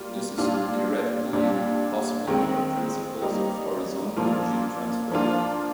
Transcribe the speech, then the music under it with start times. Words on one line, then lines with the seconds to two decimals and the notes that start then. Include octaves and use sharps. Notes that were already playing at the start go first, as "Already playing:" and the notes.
This is theoretically possible under principles of horizontal gene transfer.
Already playing: G3 A#3 F4
0.38 A#2 G3 D4 F4
1.33 A#2 G3 D4
2.27 D#3 G#3 C4
3.22 G3 A#3 D#4
4.17 A#2 F3 A#3 F4
5.12 F3 A#3 D4 F4